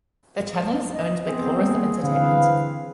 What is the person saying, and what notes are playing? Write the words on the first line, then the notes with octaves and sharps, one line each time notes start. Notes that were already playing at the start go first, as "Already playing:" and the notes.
The channel is owned by Corus Entertainment.
D#5
B3 C4 G#4
G3 A#3
D3 E3 C4 B4 F5